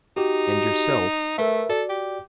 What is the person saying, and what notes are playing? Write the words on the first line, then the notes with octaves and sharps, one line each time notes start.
"And yourself?"
D#4 F#4 G4
A3 A#4 B4 E5
F#4 A4 D5
G4